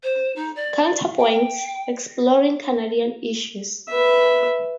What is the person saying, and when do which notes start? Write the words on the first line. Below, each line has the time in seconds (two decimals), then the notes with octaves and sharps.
Counter Points: Exploring Canadian Issues.
0.03 C5
0.36 D#4
0.56 D5
1.18 G5
3.89 B4 E5